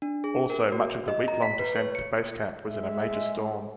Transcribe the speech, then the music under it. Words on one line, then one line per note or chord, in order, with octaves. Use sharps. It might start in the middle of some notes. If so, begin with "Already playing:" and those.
Also, much of the week-long descent to base camp was in a major storm.
D4
G#4
A#4
F#4
D#5
A#5
B6
B4
C#5
C#7
G#3 E5